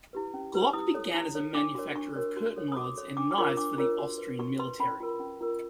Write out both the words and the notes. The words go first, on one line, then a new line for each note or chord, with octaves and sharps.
Glock began as a manufacturer of curtain rods and knives for the Austrian military.
E4 G4 B4
C#4
E4 G4 B4
E4 D#6
A4 C#5
E4
A4 C#5
D4 D6
F#4 A#4 C#5
D4 C#6
F#4 A#4 C#5
F#4
A4 C#5
D#6
F#4 D6
A4 C#5
D4 D6
D6
F4 A#4 C#5 C#6
D4 D6
F4 A#4 C#5
F#4
B4
F#4 C#6
B4 C6
C#4 B5
F4 A#4
C#4
F4 A#4